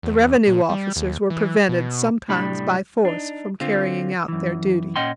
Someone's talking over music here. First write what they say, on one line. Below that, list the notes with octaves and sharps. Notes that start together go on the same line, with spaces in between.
The revenue officers were prevented, sometimes by force, from carrying out their duties.
E2
A#2
G3
D#2
E3
B2
C2 A2 G3 D4 B5
D4 D#4
D3 C4 F4
F#2 E3
A#2 C#4 D#5 F#5 G5 C6